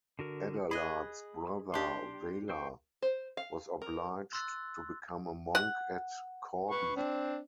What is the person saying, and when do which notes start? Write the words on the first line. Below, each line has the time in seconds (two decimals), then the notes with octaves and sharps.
Adalard's brother Wala was obliged to become a monk at Corbie.
0.19 D3 F#4 A#4
0.71 G#4 D#5 B5 F#6
1.74 D4 G4 C6
2.49 C5 G5 C#6
3.02 C5
3.37 F5
3.82 A#4
4.33 C6 E6 F#6 A6
5.55 F#5
6.71 B4 C#6
6.96 C4 D4